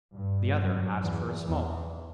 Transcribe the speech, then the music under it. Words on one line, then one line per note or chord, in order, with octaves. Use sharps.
The other asked for a small one.
G2
F#2
E2
E2